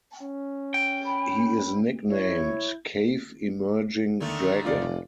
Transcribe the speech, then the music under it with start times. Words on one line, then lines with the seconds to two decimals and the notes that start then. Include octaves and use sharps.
He is nicknamed "Cave Emerging Dragon".
0.22 C#4
0.74 G5
1.05 B5
2.08 E4 C#5
4.20 D3 D#3 A3
4.65 F1 F4 D5